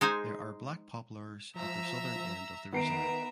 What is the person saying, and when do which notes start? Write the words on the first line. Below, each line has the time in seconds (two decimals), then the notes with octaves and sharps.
There are black poplars at the southern end of the reserve.
0.01 G#3 D#4 C5 G#5
1.56 F3 E5 A#5 E6
2.73 D#3 B3 E5 A#5 C7 D7